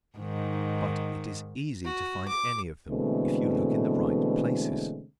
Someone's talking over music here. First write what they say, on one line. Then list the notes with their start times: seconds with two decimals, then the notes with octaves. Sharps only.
But it is easy to find any of them if you look in the right places.
0.18 G#2 D#3
1.84 F#4
2.28 D6
2.89 B2 D3 E3 G#3 A3 C4